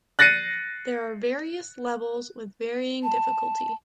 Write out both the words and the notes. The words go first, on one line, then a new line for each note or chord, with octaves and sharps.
There are various levels with varying difficulty.
F#6 A6 A#6 C7 C#7 D#7
A5